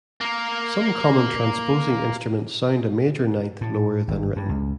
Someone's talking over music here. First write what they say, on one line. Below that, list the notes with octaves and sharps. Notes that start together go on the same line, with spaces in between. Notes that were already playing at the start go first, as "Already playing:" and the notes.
Some common transposing instruments sound a major ninth lower than written.
A#3 A#4
A2
G#1
G2
C#2